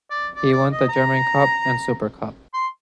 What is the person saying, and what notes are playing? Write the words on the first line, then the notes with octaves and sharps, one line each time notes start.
He won the German Cup and Super Cup.
D5
D5
D5
D#5
A#5
C6